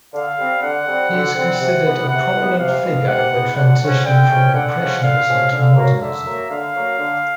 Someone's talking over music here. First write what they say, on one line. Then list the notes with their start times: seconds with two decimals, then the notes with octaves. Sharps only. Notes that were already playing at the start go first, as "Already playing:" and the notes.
He is considered a prominent figure in the transition from Impressionism to Modernism.
0.14 D3 F5
0.37 G3 C4
0.62 D3 F#5
0.87 G3 C4
1.12 D3
1.35 G3 C4
1.60 C3
1.84 E3 G#3 B3
2.09 C3 F#5
2.34 E3 G#3 B3
2.58 C3 F5
2.83 E3 G#3 B3
3.07 C3 F#5
3.32 E3 G#3 B3
3.56 D3 F#5
3.81 F3 G#3 C#4
4.05 D3 G5
4.29 F3 G#3 C#4
4.54 D3 F#5
4.79 F3 G#3 C#4
5.03 D3 F5
5.28 F3 G#3 C#4
5.52 D3 F5
5.76 F#3 A#3
6.01 D3 E5
6.26 F#3 A#3
6.50 D3 F5
6.75 F#3 A#3
6.99 D3